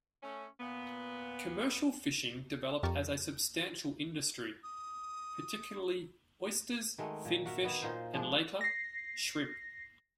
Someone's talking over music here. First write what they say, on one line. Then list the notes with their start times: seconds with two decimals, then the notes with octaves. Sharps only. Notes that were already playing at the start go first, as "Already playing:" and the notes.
Commercial fishing developed as a substantial industry, particularly oysters, finfish, and later, shrimp.
0.23 A3 C#4
0.60 A#2 B3
2.83 F2 G4 A#4 C#6 A6
4.63 D#6
6.98 D#3 G#3 A3 F#4
7.25 A#2
7.46 F#4 A#4 E5
7.63 D#3 B3 E4
7.82 A#2 D#4 F4 C5
8.14 F3 G#3 D4
8.61 A#6 C7